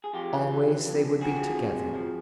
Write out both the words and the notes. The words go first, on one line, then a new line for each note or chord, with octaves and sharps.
Always they would be together.
G#4
F2 F4 G4
E3
E3
E3
F2
F2
F3 F#4 G#4
F2
C3
F2
F3